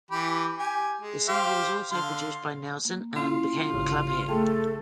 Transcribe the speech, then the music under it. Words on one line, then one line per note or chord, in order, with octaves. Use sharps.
The single was also produced by Nelson and became a club hit.
E3 G4 B5
G4 G#5
G#3
G4 C5 F5
D3 F5 C6
A#3
C#4 E4 F4
G#1 C#3 G4
A3 G#4 A4 G5 A5